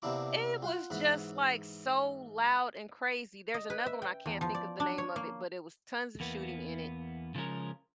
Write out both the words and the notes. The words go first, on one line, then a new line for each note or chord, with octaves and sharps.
It was just, like, so loud and crazy, there's another one, I can't think of the name of it, but it was tons of shooting in it.
C3 A#3 B3 D4 E4 D6
F4 F5 F#5
G#2 E3 F#5 B5
D#5
B4
E5
G5
E2
F3
D5
D4
C#5
A#3
E2 A#3 B3
C#3 F3 G#3 C#4 A#4